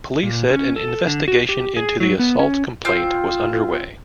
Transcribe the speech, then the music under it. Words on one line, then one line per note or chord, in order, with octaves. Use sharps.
Police said an investigation into the assault complaint was underway.
A#2
C#4
A4
D3
F#4
G4
G#4
F#3
B3
C#4
C4 F4 F6 G6